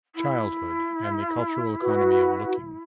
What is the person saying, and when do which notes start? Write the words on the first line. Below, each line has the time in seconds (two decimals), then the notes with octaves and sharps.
Childhood and the cultural economy of looking.
0.15 E4
1.82 F#4 B4